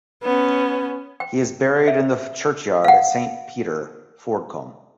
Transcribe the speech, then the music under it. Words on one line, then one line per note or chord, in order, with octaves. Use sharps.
He is buried in the churchyard at Saint Peter, Fordcombe.
B3 C#4
G5
E5
F5 F#5